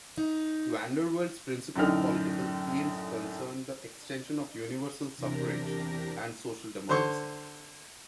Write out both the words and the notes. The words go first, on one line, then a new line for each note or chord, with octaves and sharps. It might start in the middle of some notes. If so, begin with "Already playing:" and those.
Vandervelde's principle political aims concerned the extension of universal suffrage and social democracy.
D#4
F#2 A2 D3 D#4 G5 F6
E2 C3 D4 G4 A#4 A#6
D3 C5 C6 C#6